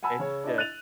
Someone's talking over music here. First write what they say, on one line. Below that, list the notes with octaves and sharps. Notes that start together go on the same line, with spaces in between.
it's just
F#5 G#5 A5 B5 E6
C#3 C#5
D4 E4 D#5
F#6 A6 D#7 F7